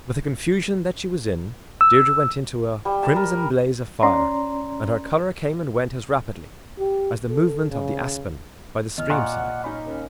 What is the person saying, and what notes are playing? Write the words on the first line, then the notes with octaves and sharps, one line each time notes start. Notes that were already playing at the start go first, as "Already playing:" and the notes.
With the confusion that she was in, Deirdre went into a crimson blaze of fire, and her colour came and went as rapidly as the movement of the aspen by the stream side.
E6
G3
A5
A#4
C#4 D5 A#5 C6
G4
A4
C#3
E2 D#5 F6
A#2 F#5 C#6 D6 F#6
C#4 D#4 B5
D#2 C#4